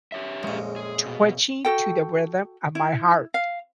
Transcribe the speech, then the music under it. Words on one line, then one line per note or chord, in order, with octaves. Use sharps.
twitching to the rhythm of my heart.
G4 C#5 E5
A#1 F2 G#3 C#4
G#4
B2
F#4 A4 G5
E4
F5